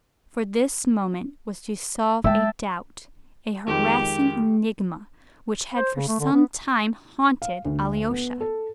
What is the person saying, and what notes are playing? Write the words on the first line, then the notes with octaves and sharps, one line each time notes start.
For this moment was to solve a doubt, a harassing enigma which had for some time haunted Alyosha.
G#3 E5 G5 A5
F2 D#3 G#3 G4
C5
C#3
A3
D3
B3
F5
D2
B3
A4